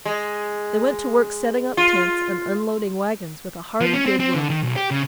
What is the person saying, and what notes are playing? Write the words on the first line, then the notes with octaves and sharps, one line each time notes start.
They went to work setting up tents and unloading wagons with a hearty good-will.
G#3
F4
F3
C#4
C4
C4
D3
D#3
B1
G4
C#3